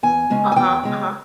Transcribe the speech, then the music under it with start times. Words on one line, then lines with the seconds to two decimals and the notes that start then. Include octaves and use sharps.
Uh-huh. Uh-huh.
0.03 E2 G#5
0.30 C#3 G#3 C#4
0.52 G#5
0.56 E2 G5
0.83 C#3 G#3 C#4